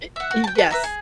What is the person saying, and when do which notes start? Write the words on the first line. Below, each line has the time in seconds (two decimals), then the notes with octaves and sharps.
Eh y yes.
0.16 E5 F#5
0.31 F#4
0.44 G5 A5
0.55 B4 A5
0.71 B4 E5 A#5
0.84 G#4